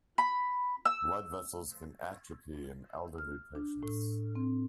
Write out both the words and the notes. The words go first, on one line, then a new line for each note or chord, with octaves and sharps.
Blood vessels can atrophy in elderly patients.
B5
E6
F6
D4
A2
C4